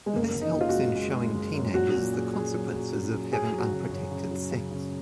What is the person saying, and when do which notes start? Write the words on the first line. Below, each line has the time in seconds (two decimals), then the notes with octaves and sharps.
This helps in showing teenagers the consequences of having unprotected sex.
0.06 G#3
0.15 F#1 A#3
0.35 F#1
0.41 D#4
0.55 F#1
0.61 F4
0.69 F#4
0.75 G#3
0.95 G#3
1.15 G#3
1.34 F#1
1.54 F#2
1.74 A#2 F#4
1.94 A#2
2.13 G#4
2.34 G#4
2.53 F#3
2.73 F#3
2.93 C#4
3.12 F#3
3.32 F#2 G#4
3.52 F#3
3.58 F#4
3.72 C#3
3.91 F#2
4.11 C#3
4.31 F#3
4.51 C#3
4.71 C#3